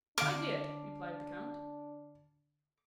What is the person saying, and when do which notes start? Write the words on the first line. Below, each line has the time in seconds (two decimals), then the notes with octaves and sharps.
"I did," replied the count.
0.18 D3 D4 F5 D6 F6 D7